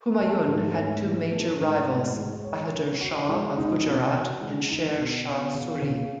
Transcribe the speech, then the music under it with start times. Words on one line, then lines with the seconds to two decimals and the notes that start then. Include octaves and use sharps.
Humayun had two major rivals: Bahadur Shah of Gujarat and Sher Shah Suri.
0.19 A3
0.47 G#2
0.75 C#4
1.03 E3
1.31 A3
1.60 G#2
1.88 F#4
2.16 G#3
2.44 C#5
2.72 C#4
3.01 F#4
3.29 G#3
3.57 D#4
3.85 B2
4.13 F#4
4.41 G#3
4.70 D#4
4.97 B2
5.25 B3
5.54 C#3
5.82 C#3